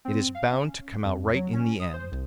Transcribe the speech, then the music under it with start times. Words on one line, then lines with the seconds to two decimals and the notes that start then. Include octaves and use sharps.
"It is bound to come out right in the end."
0.05 C4
0.35 F5
0.52 C#4
1.05 F2
1.34 F#3
1.53 C#4
1.80 D#6
1.93 C5
2.12 C2